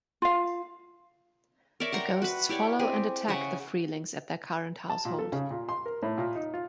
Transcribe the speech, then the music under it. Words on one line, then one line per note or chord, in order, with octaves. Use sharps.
The ghosts follow and attack the Freelings at their current household.
F4 F5
A#4 C#5 D5 E5
F#5 G5 A#5 C6
F#4 B4
E4 G4 C#5 D5
C4 G4 G#4
C#3 C#5 E5 F#5
A5
A#2
A4
C#3
A#2
C6
A#4
A2
A#2
D#4
F4